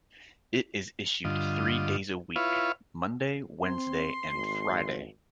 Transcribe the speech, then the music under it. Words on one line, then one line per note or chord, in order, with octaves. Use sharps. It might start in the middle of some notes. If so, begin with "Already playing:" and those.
It is issued three days a week, monday, wednesday and friday.
G2 D3 F4 D#5
E4 F4 B4 C#5 F5
C4 C6
G#1